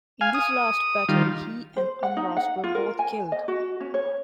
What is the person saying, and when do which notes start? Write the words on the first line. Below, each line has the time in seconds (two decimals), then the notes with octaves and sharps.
In this last battle, he and Amras were both killed.
0.21 F5 G#5
0.34 D#6
1.09 D#3 G3 F4
1.77 C5
2.03 F#5
2.17 D#4
2.37 F#5
2.64 F4
2.75 A#4
2.99 G#5
3.32 D#5
3.48 F#4
3.80 C#4
3.94 C#5